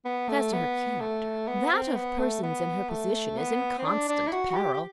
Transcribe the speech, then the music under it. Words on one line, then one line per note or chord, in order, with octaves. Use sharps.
But, as to her character, that of persons in her position is in constant peril.
B3
A3
B3
A3
B3
C4
B3
A3
B3
A3
B3
C4
D4
D4
E4
F#4
F#4
G4
G4